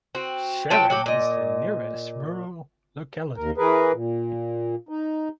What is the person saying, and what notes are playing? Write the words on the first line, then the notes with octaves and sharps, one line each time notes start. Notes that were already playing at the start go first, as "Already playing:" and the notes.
Sharan is the nearest rural locality.
C4 F#4
F#3 F4 G5 A5
F#3 F#4 G4
A#2 D#5
D#2 A#4
E3 G#4 A#4 B4
A#2
D#4